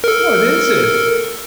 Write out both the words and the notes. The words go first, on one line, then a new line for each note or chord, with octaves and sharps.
"What is it?"
A4 A#4